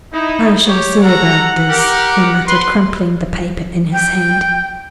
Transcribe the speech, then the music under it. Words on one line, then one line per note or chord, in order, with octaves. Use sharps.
"I shall see about this," he muttered, crumpling the paper in his hand.
D#4 E4
G4 C#5
F#4 A4 F#5 A#5
G4 A#4
B4 C6
G5